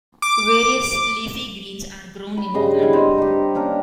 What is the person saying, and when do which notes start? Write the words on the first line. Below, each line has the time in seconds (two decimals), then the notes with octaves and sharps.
Various leafy greens are grown in Uganda.
0.22 D6
2.37 B5
2.54 G2 C#3 D#5 C6
2.79 B3 C#4 E4
2.93 C4 C5 D#5
3.18 D#4 G4
3.55 A#3 C#4 D4 A#4